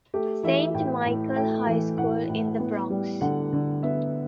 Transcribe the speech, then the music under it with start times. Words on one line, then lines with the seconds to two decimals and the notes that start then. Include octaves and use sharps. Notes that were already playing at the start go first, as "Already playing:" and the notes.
Saint Michael High School in The Bronx.
0.14 A3 G4
0.43 E3 E5
0.74 A2 G5
1.05 A2
1.36 A3 G5
1.67 E3
1.98 A2 F#5
2.29 A2
2.59 B3
2.90 G3
3.21 D3 F#5
3.53 D3
3.83 B3 E5